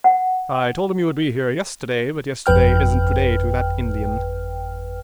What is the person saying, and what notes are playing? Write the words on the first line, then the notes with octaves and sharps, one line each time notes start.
I told him you would be here yesterday, but yesterday isn't to-day to that Indian.
F#5
G1 F2 B4 G5 F6